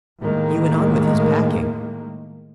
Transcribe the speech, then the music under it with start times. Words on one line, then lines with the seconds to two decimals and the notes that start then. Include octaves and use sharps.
He went on with his packing.
0.20 A2 D#3 G#3 A#3